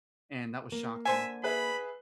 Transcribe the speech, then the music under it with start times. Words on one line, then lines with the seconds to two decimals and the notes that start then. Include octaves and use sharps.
and that was shocking.
0.72 A#3
1.05 D3 C5 E5 G#5
1.43 G#4 B4 E5 B5